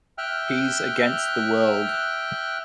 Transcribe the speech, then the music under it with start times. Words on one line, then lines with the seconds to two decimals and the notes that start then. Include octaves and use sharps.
He's against the world.
0.18 E5 G5 F6 F#6